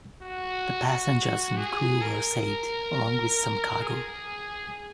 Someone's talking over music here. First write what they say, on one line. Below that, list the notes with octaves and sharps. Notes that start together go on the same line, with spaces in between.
The passengers and crew were saved, along with some cargo.
F#4
G#4
A#4
G#4